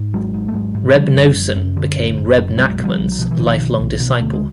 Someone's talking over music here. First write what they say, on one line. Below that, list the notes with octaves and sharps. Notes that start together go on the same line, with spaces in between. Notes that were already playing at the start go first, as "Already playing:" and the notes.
Reb Noson became Rebbe Nachman's lifelong disciple.
Already playing: G#2
G#1 F#3 G#3
G#2
A3
G#1 F#3 G#3
G#2
D3 F3 G3
F#1
F#1
F#2
D3
F#1
F#1
F#2
B1 F#3 G#3
B2
F3 G3
B1
F#3
B2 F3
E3
B1 D#3 F3
B2
B1
B2
D2 A3
G#3